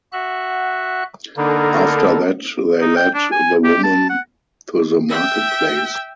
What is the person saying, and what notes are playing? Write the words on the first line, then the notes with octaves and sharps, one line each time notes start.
After that, they led the woman to the marketplace.
F#4 E5 F#5 F#6
D3 A#3 D4 D#4 A4 A#4 B5
D#4
G5
D4
G#5
G4
A5
F#5
E5 G5